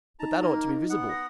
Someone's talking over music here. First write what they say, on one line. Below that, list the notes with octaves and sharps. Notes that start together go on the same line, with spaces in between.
"But that ought to be visible."
D#4 A5 A#5
A#3 A#4
B3 F#5
A#6